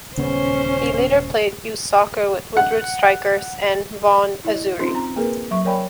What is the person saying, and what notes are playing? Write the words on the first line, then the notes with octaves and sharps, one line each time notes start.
He later played youth soccer with Woodbridge Strikers and Vaughan Azzurri.
D#1 C#3 B3 C#4 C5
F#5
E4 D#5
C4 C#4 D#4 F4 C5 C6
C4 A#5
A#3 G#4 A#4 B4
F#3 E5 C#6
A#4 C#5 D5 G5 G#5 B5